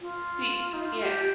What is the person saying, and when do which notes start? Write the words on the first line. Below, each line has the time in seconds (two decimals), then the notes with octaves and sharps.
See yeah.
0.01 F4
0.73 D#4
0.82 F4
1.02 G4